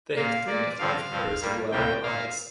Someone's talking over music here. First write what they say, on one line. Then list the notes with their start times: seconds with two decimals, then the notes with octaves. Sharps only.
They have three to five pairs of lateral eyes.
0.16 A#2 A#3 F5
0.47 A#2 A#3 D5
0.78 G2 D3 F3 C4 F5
1.09 G2 F3 C4
1.40 G2 G3 A#3
1.71 D2 C3 G3 A#3 G5
2.03 A#2 A#3 F5